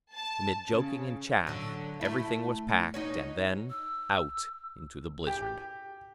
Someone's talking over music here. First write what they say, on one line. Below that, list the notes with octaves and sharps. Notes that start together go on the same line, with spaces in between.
Amid joking and chaff, everything was packed, and then -- out into the blizzard.
A5
C#3
D3 F#3
A3 E4
D#4 F#4 C#5
E6
G4